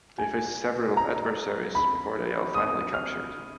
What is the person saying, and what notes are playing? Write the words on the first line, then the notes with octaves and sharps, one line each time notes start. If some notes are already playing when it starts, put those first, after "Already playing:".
They face several adversaries before they are finally captured.
G#5
A#5
B5
D#6
F6